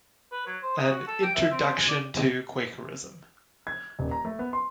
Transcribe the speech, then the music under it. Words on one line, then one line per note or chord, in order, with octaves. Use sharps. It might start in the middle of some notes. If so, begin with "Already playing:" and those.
"An Introduction to Quakerism".
B4
F#3
C5
D#5
F#4
A4
G5
E5
C4
G#3
D5
G#6
D#1
A#5
A3
B3
C6